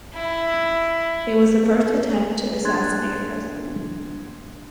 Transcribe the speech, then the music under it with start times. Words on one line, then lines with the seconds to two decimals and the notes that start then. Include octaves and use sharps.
It was the first attempt to assassinate a President.
0.14 E4
2.65 A#3 D4 C6 F#6 G#6 A6